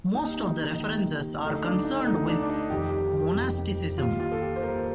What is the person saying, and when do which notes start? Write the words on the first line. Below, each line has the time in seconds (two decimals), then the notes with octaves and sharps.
Most of the references are concerned with monasticism.
0.14 D#2 D#3 G3 D#4
0.78 D#2 D#3 G3
1.42 D2 D3 A3 D#4
1.64 D4
1.85 D#4
2.07 D2 D3 A3 D#4
2.28 D4
2.42 D4
2.50 D#4
2.70 F2 C3 D#3 G3 G4
3.34 F2 C3 D#3 G3
3.98 D#2 D#3 G3 F4
4.20 F4
4.32 A4
4.41 G4
4.56 C5
4.63 D#2 D#3 G3 A#4